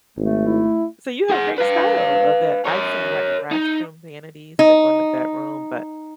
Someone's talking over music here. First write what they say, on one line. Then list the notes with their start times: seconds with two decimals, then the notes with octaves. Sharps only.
So you have great style of that. I've seen, like, uh, brass trimmed vanities that go in the bedroom, but
0.17 G#1 A3
0.46 E4
1.30 G#4 F#5
1.58 B4 F5
2.65 A#4 C#5
3.51 D#4
4.59 D#4